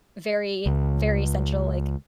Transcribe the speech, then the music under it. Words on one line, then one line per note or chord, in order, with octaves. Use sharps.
very, very central, like,
C#2